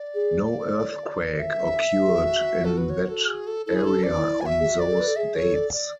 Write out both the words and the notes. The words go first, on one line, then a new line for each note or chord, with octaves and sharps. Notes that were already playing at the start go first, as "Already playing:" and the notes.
No earthquake occurred in that area on those dates.
Already playing: D5
G#4
E5
G#4
F#4
A4
B4
C#5
A4
G#4
A4
E4 A4
G#4
A4
C#4
D5
D4
E4
F#4 E5 G#5
G#4
F#4
D5
A4
B4
A4
G#4 E5
C#5
A4
D5
D5